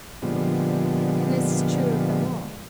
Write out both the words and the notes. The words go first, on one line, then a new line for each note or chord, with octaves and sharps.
And this is true of them all.
A#2 D3 F3 G3 G#3 B3